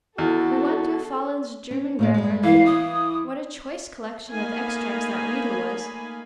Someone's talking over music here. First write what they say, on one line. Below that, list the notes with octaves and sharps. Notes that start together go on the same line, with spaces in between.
We went through Follen's German Grammar and Reader:--what a choice collection of extracts that "Reader" was!
E2 E4 F#4 A4
C#4
A2 A#3 D5
G2 G#3
E3 F5
F5 D#6
A3 A#3 D#4 F5 G#5 B5